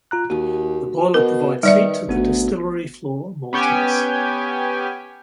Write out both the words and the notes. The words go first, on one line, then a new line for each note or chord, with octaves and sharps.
The boiler provides heat to the distillery floor maltings.
F4 A#5 F#6
D#2 F#4
B2 A#4
D#3 G3 B4 D5 E5
G#1 D2 B3 F#4
B3 C#4 G4 G5 G#5